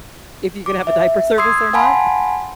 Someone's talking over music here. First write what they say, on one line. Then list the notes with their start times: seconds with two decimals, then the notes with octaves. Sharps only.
If you could have a diaper service or not?
0.66 D6
0.87 E5
1.38 C6 D#6 E6 G#6 C7
1.73 F5 F#5 G#5 A5 B5 C6